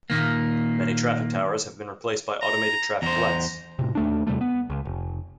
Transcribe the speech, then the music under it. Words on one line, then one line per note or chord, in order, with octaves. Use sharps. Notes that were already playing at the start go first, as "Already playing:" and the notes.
Many traffic towers have been replaced by automated traffic lights.
A#2 D#3 A#3
A#5
E2 C5 A#5
A2 C3
D#2 A3 D4
E2 C3 G3 A3
B3
C#2
F1